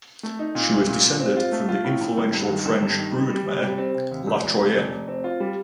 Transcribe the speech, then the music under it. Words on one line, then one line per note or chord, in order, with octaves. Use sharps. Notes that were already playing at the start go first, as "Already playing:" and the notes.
She was descended from the influential French broodmare La Troienne.
A3
D#4
A#2
C2
A#2
A#2
C4
F4
A3
F4
A2
A2
G1
G2
D#3
G1
G2
D#3
G3
G3
C3
G3
C4
C3
D#2
F1
F1
F1
F1
F1
C4
F4
G3